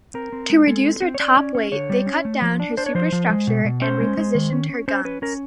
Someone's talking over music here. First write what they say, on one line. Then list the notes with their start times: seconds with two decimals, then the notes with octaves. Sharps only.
To reduce her top weight, they cut down her superstructure and repositioned her guns.
0.14 C4 A#4
0.32 C4
0.50 G#3
0.67 G#3 A4
0.84 C4
1.02 C4
1.15 C#5
1.20 C#4 D5
1.37 C#4
1.55 C#4
1.72 D3 C#5
1.90 G3
2.07 C#4
2.25 A3
2.42 F3
2.60 D4
2.77 D4 C5
2.86 C#5
2.95 F3 C5
3.12 F3
3.30 G#3
3.47 B2
3.65 B2
3.82 C#4 C5
4.00 G#3
4.17 G#3
4.35 D#3
4.53 C#4
4.69 C#4
4.88 C#4 C5
5.05 C#4 B4
5.22 C#4 A#4